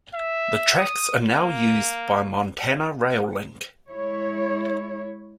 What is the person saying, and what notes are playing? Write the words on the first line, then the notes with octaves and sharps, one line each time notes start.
The tracks are now used by Montana Rail Link.
E5
D#6
A#3
G#3 E4 C#5